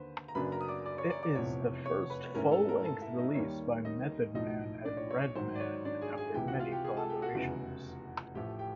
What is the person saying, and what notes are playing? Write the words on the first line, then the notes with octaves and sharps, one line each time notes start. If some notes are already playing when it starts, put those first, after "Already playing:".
It is the first full-length release by Method Man and Redman after many collaborations.
Already playing: D#2 D3 B4 C5
A#5
F#2 C#3 F#3 A#3 D4 B4 B5
A#4 A#5
D#6
D5 D6
D5 D6
C#5 C#6
D5 D6
D5 D6
F1 E2 C3 F3 C#5 C#6
C#5 C#6
B4 B5
G#2 E3 A3 C#4 A#4 A#5
A4 A5
A#4 A#5
A4 A5
E4 E5
D#4 D#5
D#2 D#3 G3 A#3 C#5
D#4 D#5
B1 A2 F3 D#4 D#5
D4 D5
C#5
C#5
C#5
G#2 D#3 F#3 C5
D5
C#5
D4 D5
G#4 G#5
G#4 G#5
C#2 C3 E3 G4 G5
F#4 F#5
F4 F5
G4 G5
G#4 G#5
A4 A5
G4 G5
F#4 F#5
F1 E2 C#3 E3
A1 A2 F3 A3 G4 G5
G4 G5